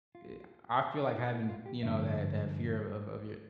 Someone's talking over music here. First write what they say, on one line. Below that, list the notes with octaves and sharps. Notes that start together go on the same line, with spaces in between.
eh, I feel like having, you know, that that fear of of of
F4
D4
E4
E4
F4
G4
G2 D3 F3 E5